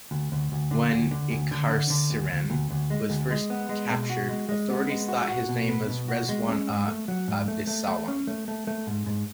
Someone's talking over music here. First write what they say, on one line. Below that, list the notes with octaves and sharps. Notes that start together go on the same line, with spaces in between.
When Ikassrien was first captured authorities thought his name was Reswan A. Abdesalam.
D2
D2
D2
D3
D2
D3
D2
D3
D3
D3
D2
D2
D2
D2
G#3
D2
G#3
B3
G#3
B2
F#4
G#3
G#3
B3
G#3
F#4
F#4
B2
B3
B2
F#4
G#3
C#4
G#2
A3
F#3
G#2
A3
A3
A3
C#4
A3
A3
A3
G#2
G#2